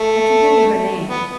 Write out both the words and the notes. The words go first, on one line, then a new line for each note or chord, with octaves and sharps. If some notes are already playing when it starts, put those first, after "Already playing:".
I can give you her name.'
Already playing: A3
B3